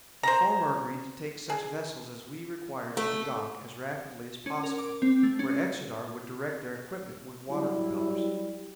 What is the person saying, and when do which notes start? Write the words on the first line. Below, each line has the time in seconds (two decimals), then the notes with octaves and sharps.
The former agreed to take such vessels as we required into dock as rapidly as possible, where Xodar would direct their equipment with water propellers.
0.23 C5 A#5
1.50 G#4
2.97 A3
4.46 C#4
4.63 A#4
4.78 D6
5.02 C4
5.23 A3
5.39 C#4
7.49 F#3 G3 E4